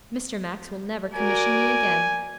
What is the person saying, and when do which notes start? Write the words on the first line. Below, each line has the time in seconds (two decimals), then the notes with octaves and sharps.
'Mr. Max will never commission me again.'
1.15 F#4 A#4 D5 G#5